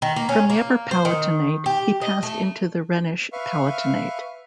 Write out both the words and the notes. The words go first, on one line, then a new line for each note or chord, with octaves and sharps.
From the Upper Palatinate, he passed into the Rhenish Palatinate.
D#3
A#3
C#4
A#3
C5
D#3
G4
D#5
A3
B4 E5 F5 C#6 F6